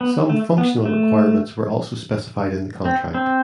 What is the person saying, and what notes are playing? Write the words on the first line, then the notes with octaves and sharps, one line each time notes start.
Some functional requirements were also specified in the contract.
B3
A3
B3
A3
C4
C4